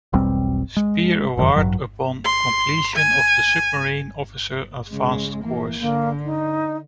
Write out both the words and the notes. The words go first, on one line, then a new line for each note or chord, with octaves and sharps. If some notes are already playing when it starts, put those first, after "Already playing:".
Spear Award upon completion of the Submarine Officer Advanced Course.
E1 B1 G3 C4
G#3
F1 F#2 D#3
A1 G2 F#3
C6
G#5
C#3 G#3
E3 A#3
D3 A#3
D#4